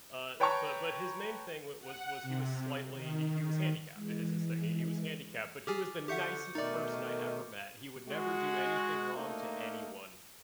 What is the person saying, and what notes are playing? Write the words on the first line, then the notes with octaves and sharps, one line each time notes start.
Uh, but but his main thing w was was he was slightly he he was handicapped i is his thing. He he was handicapped, but he was the nicest person I ever met, he would never do anything wrong to anyone
B4 C#5 G5 A5 A#5 C#6
F#5
C3
D#3
E3 G#3
G4 G#4 G#5 D6 F6 A6
D3 G4 E5 F#5 C#6 G6 C#7
B2 D#3 A3 D#4 A#4 D5 D6 A6
G#3 F#4
A3 A#3 D4 D#4